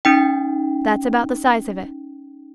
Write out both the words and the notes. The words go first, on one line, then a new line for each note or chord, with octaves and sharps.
"That's about the size of it."
C#4 D#4 G5